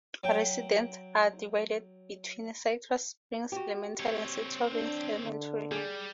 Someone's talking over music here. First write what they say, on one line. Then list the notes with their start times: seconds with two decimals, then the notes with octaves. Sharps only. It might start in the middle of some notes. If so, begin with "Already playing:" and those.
Residents are divided between Citrus Springs Elementary and Central Ridge Elementary.
0.24 F#3 G5
3.52 F#4 G4
4.00 C4 C#5
4.73 D4
5.23 D3
5.72 G3 G#4 D5